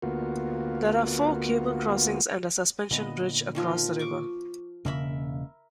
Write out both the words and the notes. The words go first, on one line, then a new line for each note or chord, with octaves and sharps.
There are four cable crossings and a suspension bridge across the river.
D2 A#3 B3 F4 F#4
A#2 D3 B3 D#5
D#3 F3 F4
C#6 D6
E1 C#3 A#3 A#4 E5 B5